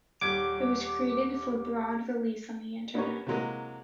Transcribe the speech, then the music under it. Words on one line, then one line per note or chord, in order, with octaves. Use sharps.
It was created for broad release on the Internet.
D#1 G3 D6 G#6
B3 C#4 D#4 G4 A#4 C#5
C3 E3 F#3 G#3 A#3